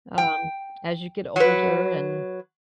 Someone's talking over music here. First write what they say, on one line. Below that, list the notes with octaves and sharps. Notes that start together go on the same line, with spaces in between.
Um, as you get older and
G5
F#3 B4